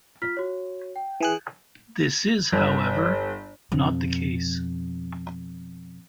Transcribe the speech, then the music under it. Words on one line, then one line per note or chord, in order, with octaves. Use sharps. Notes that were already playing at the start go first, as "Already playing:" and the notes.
This is, however, not the case.
F4 F6 B6
F#4 C#5
G5
E3 G#4 F#6
G1
F2 B2